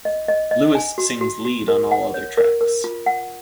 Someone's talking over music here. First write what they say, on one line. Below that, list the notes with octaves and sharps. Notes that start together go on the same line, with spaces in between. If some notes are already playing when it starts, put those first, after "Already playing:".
Lewis sings lead on all other tracks.
D#5
D#5
D#5
G#5
F#4
F#4
F#4
A#4
F#5
C#5
A#4
A#4
F4
F#5